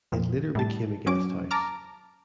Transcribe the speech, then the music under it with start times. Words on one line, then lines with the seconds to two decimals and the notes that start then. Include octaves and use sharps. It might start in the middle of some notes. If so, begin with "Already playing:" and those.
It later became a guest house.
0.12 F2 A#2
0.55 A2 G3 A5
1.06 F#3 C#4 D6
1.51 A5 A#5 D6 F6